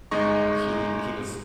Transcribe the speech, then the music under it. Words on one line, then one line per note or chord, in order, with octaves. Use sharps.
he he was
G1 G#3 D#4 D#5 C#6